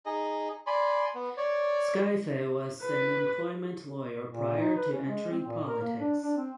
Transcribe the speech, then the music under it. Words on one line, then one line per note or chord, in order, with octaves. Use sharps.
Scaife was an employment lawyer prior to entering politics.
D#4 G#4 D#5
D5 G#5 B5 C6
B3
C#5 D5
B4
A#2
D#4
B4
C#4
G#3
C4
A#2
A#4
A#3
D4
D4
C4